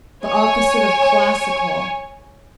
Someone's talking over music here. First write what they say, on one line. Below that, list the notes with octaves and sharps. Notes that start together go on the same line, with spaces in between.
"The opposite of classical."
C#5 G#5